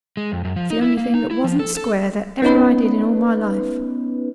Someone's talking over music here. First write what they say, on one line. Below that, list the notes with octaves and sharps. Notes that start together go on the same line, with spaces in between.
It's the only thing that wasn't square that ever I did in all my life.
G#3
F2
F#2
F3
D#4
E4
A#3
D#4
E4
F3
A4
A4
B3 C#4 D#4 B4